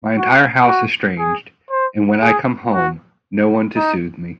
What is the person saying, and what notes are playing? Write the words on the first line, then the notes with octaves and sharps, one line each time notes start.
My entire house estranged...and when I come home...no one to soothe me.
F#4
F#4
G#4
C5
G#4
F#4
D#4